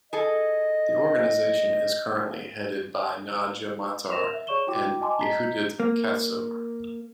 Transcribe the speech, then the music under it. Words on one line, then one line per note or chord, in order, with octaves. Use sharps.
The organization is currently headed by Nadia Matar and Yehudit Katsover.
G#4 A4 D#5
A#4 A#6 E7 F7
E5
G#4 C#5 D5 C#6 E7 G7
E4 F#4 G5 D6
D#5 G#5 A5 C6 D6
D#5 A#5 B6 C7
A#3